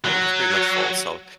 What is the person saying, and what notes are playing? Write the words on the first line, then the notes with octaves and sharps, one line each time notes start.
my week is pretty much full, so
F#3